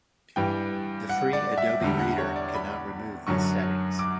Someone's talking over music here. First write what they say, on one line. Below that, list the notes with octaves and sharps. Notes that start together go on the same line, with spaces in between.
The free Adobe Reader cannot remove these settings.
G2 E3 G3 G5
F#5
D5
E5
E2 D3 G3
F#5
C#5
D5
B5
F#2 D3 F#3 C#6
D6